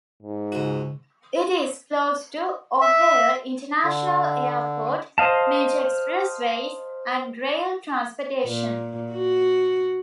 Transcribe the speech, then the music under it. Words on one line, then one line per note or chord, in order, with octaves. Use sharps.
It is close to O'Hare International Airport, major expressways, and rail transportation.
G#2
C#2 F#4
E5
D3
C5 D#5 F5 A5
A#2
F#4